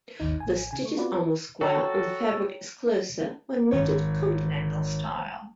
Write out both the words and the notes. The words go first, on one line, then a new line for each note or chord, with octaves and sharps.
The stitches are more square and the fabric is closer when knitted Continental style.
G#1 D#2 D#4
A1 G#5
C#3 G#5
A3 C#6
B3 C4 F4 F#4 B4 D5
F#4 A4 C#5 G5 A#5
G#1 C#5